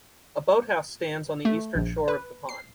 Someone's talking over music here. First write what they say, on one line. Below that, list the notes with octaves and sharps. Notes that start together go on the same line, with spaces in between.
A boat house stands on the eastern shore of the pond.
A3
A#1
B4
C7